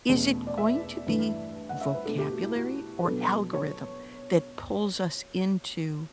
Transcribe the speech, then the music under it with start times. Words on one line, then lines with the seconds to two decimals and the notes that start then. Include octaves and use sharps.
Is it going to be vocabulary or algorithm that pulls us into
0.09 E2 B2 A3 C#4
0.47 D5
0.58 E5
1.07 G2 E3 A3
1.69 F#5
1.81 E5
1.94 B4
2.06 B2 A3 D4 A4
2.18 G4
2.31 F#4
2.43 E4
2.55 F#4
2.99 B4
3.04 B2 F#3 B3 D4 A4
3.54 C#5